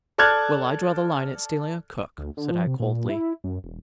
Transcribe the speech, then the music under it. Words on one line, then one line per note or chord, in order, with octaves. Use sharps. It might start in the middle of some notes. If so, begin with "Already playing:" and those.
"Well, I draw the line at stealing a cook," said I, coldly.
A4 D5 A5 F6 F#6 G#6
D2
D3
F3
C3
A#2
E4
F#2
E1